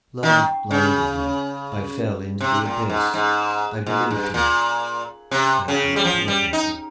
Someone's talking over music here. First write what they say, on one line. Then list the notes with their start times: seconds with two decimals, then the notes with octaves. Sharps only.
Love blinded me; I fell into the abyss; I believed him; I agreed to everything.
0.23 D#3
0.71 C#3
2.40 C3
2.65 A#2
2.90 G#2
3.14 G#2
3.86 G#2
4.11 G2
4.34 A#2
5.31 C3
5.68 C#3
5.96 G3
6.05 F3
6.28 G3
6.53 D#4